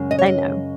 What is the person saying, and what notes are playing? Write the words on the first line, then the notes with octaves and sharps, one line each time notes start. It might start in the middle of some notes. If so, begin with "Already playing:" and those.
they know.
Already playing: F#2 C#3 G#3 C#4
D#5
C#5
D#5